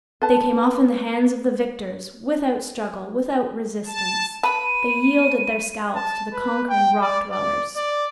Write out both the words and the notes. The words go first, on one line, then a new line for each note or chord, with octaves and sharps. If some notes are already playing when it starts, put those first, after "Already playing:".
They came off in the hands of the victors - without struggle, without resistance, they yielded their scalps to the conquering Rock-dwellers!
B4 A5
A5
B4 A5 B5 D#7
A5
B4
G5
D5
D5
D5